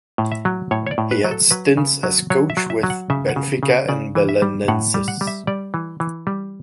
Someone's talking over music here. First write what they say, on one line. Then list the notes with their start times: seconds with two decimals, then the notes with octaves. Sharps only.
He had stints as coach with Benfica and Belenenses.
0.18 A2
0.32 E5
0.45 F#3
0.71 A2 C#5
0.87 C#5
0.91 D5
0.98 A2
1.11 B4
1.24 F#3
1.31 A4
1.51 F#3 B4
1.77 C#3
2.03 F#3
2.30 F#3 C#5
2.50 E5
2.57 F#3
2.70 E5
2.83 F#3
2.90 F#5
3.10 C#3 E5
3.29 F#5
3.36 C#3
3.63 C#3
3.69 F#5
3.89 C#3 D5
4.15 E3
4.29 E5
4.42 G3
4.68 A2 F#5
4.94 G3
5.08 F#5
5.21 G3
5.27 E5
5.47 G3 D5
5.74 E3
6.00 E3
6.27 G3